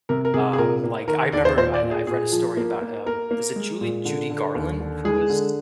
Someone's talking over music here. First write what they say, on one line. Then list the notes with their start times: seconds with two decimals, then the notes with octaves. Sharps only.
um, like, I remember I I read a story about um, was it Julie Judy Garland who was
0.09 C3 A#4
0.25 A#4
0.34 C3 G#4
0.53 G#4
0.58 A#2 A#4
0.84 A#3
1.08 D#3 A#4
1.33 D#2 D5
1.45 C5
1.57 A#2 C5
1.74 D5
1.83 A#2
1.91 G#4
2.07 A#2 G#4
2.32 F3
2.57 A#3
2.81 A#3
3.06 A#3 A#4
3.31 A#3
3.56 G#3
3.81 A#2
4.05 D3
4.30 D3
4.55 D#2
4.80 D3
5.05 G#3 G#4
5.30 D3